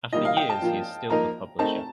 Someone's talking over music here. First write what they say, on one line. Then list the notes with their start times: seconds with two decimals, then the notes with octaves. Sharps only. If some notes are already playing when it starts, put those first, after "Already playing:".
After years, he is still the publisher.
0.13 D#3 G3 A#3 F4 D#5
0.25 F5
0.37 G5
0.49 A5
0.62 F3 A#3 F4
1.10 F3 A#3 D#4 A#4 D#5 A#5
1.59 A3 C4 D#4 A#4 A5